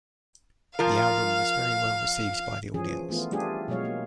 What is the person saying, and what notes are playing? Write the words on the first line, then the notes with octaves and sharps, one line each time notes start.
The album was very well received by the audience.
F3 F4 A#4 F5
E3 F3 C#4 G#4
E3 A3 B3 F4
G3 A3 D4 F4 G4 G#4
B2 F#3 G#3 C#5 F5
A#3